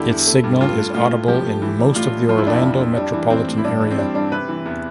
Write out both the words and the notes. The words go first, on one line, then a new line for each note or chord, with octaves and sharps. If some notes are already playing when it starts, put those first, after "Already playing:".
Its signal is audible in most of the Orlando metropolitan area.
Already playing: E2 D3 G3 E4 G4
E2
A3
G2
G2 F4
A3
A2 F4
A2
F3 G4
A3
E3
G3
A2 F4
A2
F3 F4
E4
F2 D4
E4
F2
F2
G3 D4
E3
E3 C4
A2
E4
G2 D4
E3
C4
G3 D4
G2 D4
C3 B4
E3
E2